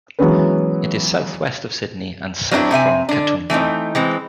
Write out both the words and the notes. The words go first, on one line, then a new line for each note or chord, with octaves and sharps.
It is south west of Sydney and south from Katoomba.
E3 F#3 G#3 B3 C#4 B4
F#3 C4 D4 E4
C3 C4 E5 G#5
D3 D4
E3 A3 C4 D#4
E3 G#3 C4